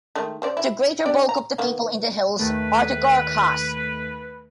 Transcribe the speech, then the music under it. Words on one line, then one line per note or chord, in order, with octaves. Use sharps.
The greater bulk of the people in the hills are the Gorkhas.
D#3 G#3 A3
C#3 C5 D5
E4
G3 D4 D5
A#5
D#3 A#3 B3
D#2 D#3 A3 B4